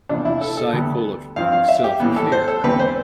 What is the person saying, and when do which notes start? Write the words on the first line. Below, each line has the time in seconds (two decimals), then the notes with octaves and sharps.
cycle of self-care
0.09 E2 C3 F3 B3 D4
0.25 E4
0.41 A4
0.57 A4
0.73 D2 D3 G3 B3
1.36 G2 F3 C4 F5
1.52 F5
1.68 E5
1.84 G4
2.00 A2 E3 G3 B3
2.16 A4
2.32 C5
2.48 A4
2.64 E2 D3 G3 C4 B4
2.79 C5